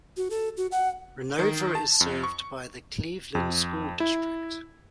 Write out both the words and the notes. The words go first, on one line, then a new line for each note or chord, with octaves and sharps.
Renova is served by the Cleveland School District.
F#4
A4
F#4
F#5
D#3
A5
F2
C#6
F2
E4